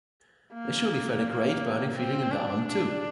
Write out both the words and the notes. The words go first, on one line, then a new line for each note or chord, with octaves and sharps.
They surely felt a great burning feeling in the arm, too!
A#3
C4
D4
D4